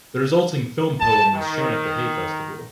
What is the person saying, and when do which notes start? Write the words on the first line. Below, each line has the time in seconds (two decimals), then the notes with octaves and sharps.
The resulting film poem was shown at the Hay Festival.
0.99 A5
1.33 D#3